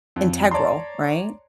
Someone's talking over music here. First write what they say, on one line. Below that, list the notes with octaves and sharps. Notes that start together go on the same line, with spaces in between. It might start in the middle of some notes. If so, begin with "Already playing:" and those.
integral, right?
F2
C#5 D5 A5 A#5 C6